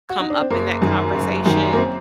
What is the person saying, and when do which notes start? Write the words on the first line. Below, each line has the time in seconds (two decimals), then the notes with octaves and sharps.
come up in that conversation,
0.10 F#4
0.20 D#4
0.30 D4
0.40 C4
0.50 F#1 A#3
0.82 F#2 D#3
1.14 F#1
1.46 F#2 D#3
1.73 A#3
1.77 C4